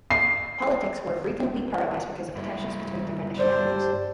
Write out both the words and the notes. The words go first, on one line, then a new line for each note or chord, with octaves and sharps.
Politics were frequently paralysed because of the tensions between different nationalities.
C7
G2 E4
D3 D4 G4 C5